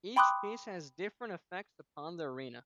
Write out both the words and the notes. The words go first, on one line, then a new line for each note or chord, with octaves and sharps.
Each Piece has differing effects upon the arena.
G5 B5 C6 D6 D#6 F#6